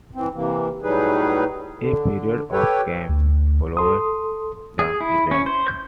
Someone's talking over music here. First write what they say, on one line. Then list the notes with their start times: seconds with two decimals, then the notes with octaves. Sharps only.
A period of calm followed the event.
0.15 E3 C4
0.35 C3 E3 A#3
0.82 A2 F#3 G3 D#4 G#4 B4
1.79 D3
2.52 G4 A4 B4 C#5 G5
3.09 D2
3.77 A4 C6 D#6
4.79 G#4
5.01 E4
5.31 C#4
5.46 C5
5.68 G6